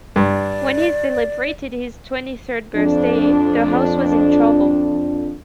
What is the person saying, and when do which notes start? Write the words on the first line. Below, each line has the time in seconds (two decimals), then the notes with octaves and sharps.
When he celebrated his twenty-third birthday, the house was in trouble.
0.16 G2 D5
2.75 F2 D4